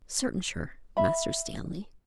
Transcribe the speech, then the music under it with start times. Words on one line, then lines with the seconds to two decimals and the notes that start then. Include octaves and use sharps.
'Certain sure, Master Stanley.'
0.97 E5 B5